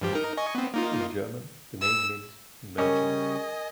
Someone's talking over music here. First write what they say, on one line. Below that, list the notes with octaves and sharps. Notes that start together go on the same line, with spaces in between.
In German, the name means "merchant".
G2 F3 G4
D#4 A#4
D#5 G#5 C#6
B3 C4
A#3 D#4 F4
E6
C#3 G3 C#4 A#4 D#5 G#5